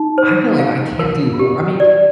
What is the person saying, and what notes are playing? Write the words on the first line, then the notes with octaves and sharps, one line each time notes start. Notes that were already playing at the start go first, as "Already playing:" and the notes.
I feel like I can't do hor I mean,
Already playing: D#4
C5
F5
A#4
G4
D5